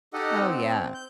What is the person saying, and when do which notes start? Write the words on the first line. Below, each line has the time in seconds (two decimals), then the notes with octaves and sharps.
Oh, yeah.
0.13 D#4 G4 A4 D#5 F#5
0.41 C4
0.94 G6